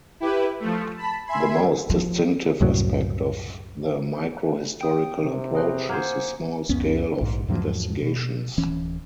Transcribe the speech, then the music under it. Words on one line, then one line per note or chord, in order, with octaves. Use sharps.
The most distinctive aspect of the microhistorical approach is the small scale of investigations.
E4 G4 B4
F3 A3
A5 B5 B6
E5 G#5 B5 C6
F3
C2 F#2 A2 F#3
G5 D#6
C3
G#4 B4 C5
A#3 G#4 C5 F#5
C#2 F#2 B3 C#4
A#1 G#2
E2 G#2 F3 F#3
B2
D1 E3 C#4